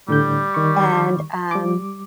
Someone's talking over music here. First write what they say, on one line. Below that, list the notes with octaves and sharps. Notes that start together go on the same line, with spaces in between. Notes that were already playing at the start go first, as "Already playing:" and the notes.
and, um,
A2 D3 G3 G6
D#3 C#6
G3 D6